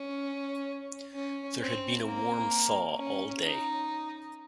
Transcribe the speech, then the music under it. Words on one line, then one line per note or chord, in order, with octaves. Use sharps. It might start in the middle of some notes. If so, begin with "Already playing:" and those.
There had been a warm thaw all day.
Already playing: C#4
C#4
C4
A#3
C#4
D#4